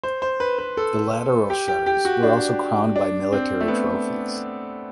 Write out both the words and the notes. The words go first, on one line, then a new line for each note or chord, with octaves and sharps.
The lateral shutters were also crowned by military trophies.
C5
C5
B4
B4
A4
G4
G4
G4
F#4
D4
D4
C4
A3
B3